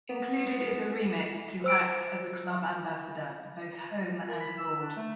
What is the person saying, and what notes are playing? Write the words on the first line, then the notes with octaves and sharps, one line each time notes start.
Included is a remit to act as a club ambassador, both home and abroad.
B3
C5 E6 D7
A#4
B5
E6
D4
A3